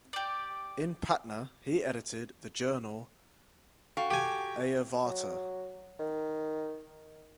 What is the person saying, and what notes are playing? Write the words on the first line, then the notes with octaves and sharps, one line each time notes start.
In Patna he edited the journal "Aryavarta".
G4 D5
F#4 A4 F5 G5 C#6
G4 G#5
F#3
D#3